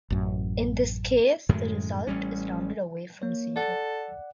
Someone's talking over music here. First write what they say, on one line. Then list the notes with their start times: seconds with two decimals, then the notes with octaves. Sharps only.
In this case, the result is rounded away from zero.
0.10 A1 F#2
1.49 F#2 A2 D#3 G#3
2.07 A1 G3 C#4
3.22 A#3 C#5
3.56 A4 D5 F#5